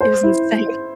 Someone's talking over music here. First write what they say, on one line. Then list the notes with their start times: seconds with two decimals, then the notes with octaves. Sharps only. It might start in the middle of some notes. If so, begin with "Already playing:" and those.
It was insane.
0.01 C5
0.23 E4